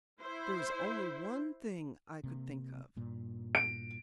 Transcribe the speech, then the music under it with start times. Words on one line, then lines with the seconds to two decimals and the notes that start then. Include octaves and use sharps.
There was only one thing I could think of.
0.21 E4 C5
2.24 C3 A#3
2.97 G2 A#2
3.55 D7